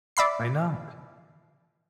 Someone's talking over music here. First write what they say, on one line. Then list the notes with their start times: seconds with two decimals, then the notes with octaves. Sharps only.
Why not?
0.17 D5 E5 B5 C7